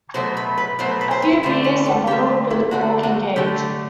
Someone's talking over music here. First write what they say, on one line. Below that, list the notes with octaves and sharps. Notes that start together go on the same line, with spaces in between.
A few beers are bottled with a cork and cage.
B2 F#3 A3 C5
B4
B4
B2 F#3 A3 C5
B4
C5
B4
D3 A3 C5
B4
A4
D3 A3 G4
E4
D3 A3 F#4
F#4
D3 A3 G4